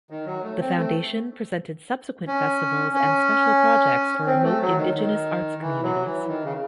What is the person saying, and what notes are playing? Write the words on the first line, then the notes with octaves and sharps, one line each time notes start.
The Foundation presented subsequent festivals and special projects for remote Indigenous arts communities.
D#3
F#3
A3
C4
A3
C#4
C#4
C4
A3
F#3
D#3
D#3
E3
F#3
E3
D#3
C#3